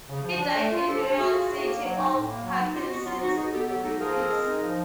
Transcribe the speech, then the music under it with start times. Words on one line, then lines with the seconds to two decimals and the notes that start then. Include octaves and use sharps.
He died in New York City of Parkinson's disease.
0.08 C#3
0.23 F3
0.39 D4
0.54 A3
0.71 F4
0.86 F3 G4 A4
1.02 D4
1.17 A3 F#4 G#4
1.33 F4
1.49 A2
1.65 A#3
1.81 F#3
1.96 D#4
2.12 A2
2.27 A#3
2.42 F#3
2.59 D#4
2.74 B2 F4 G4
2.90 B3 F#4
3.05 F#3 F4
3.21 D#4 F#4
3.37 B2 F#4 G#4
3.53 B3 G4 A4
3.68 F#3 G4 A4
3.83 D#4 G4 A4
3.99 F3 G#4 A#4
4.16 C4
4.31 G#3
4.47 D#4
4.62 F3